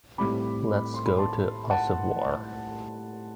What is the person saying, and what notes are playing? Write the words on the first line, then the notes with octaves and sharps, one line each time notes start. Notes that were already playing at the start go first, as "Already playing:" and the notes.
Let’s go to Assuévar.
A2 G3 C4 B5 D6
C6
B5
A5 C6
F#5 A5